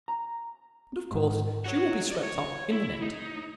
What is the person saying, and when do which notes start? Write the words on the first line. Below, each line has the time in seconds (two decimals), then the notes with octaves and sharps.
But, of course, she will be swept up in the net.
0.08 A#5
1.11 G#2
1.66 F#4 C#5
2.12 D5 D#5
2.23 C#5
2.73 E4
3.02 D#4